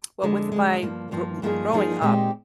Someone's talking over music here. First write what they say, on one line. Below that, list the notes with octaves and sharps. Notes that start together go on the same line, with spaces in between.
Well, with my gro growing up,
F2 D3 G#3
F2 D3 G#3
G2 F3 A#3
G2 F3 A#3
G2 F3 A#3 D#4 G#4
G2 F3 A#3 D#4 G#4
A#2 G#3 C4 D#4 G4